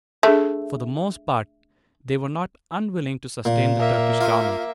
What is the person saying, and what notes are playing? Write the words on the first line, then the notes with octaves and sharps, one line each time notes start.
For the most part, they were not unwilling to sustain the Turkish Government.
A3 D4 G#4 E5
A#2
A#3 E5
F4